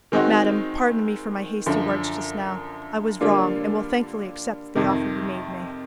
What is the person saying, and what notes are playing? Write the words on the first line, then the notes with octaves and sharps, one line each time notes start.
'Madam, pardon me for my hasty words just now; I was wrong, and will thankfully accept the offer you made me.'
D#3 G#3 C4 D#4 F#4
F#2 D3 F3
D3 G3 A#3 D4 F4
F2 C3 D#3